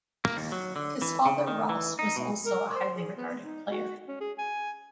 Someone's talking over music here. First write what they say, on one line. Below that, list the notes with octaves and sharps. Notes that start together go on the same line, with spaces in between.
His father Ross was also a highly regarded player.
A#3
D#2
F#3
D3
E3
C#3
D#3
E3
D#4
B2
A#4
C5
G#4
B3
D#4
F#4
C#4
G#4
G#5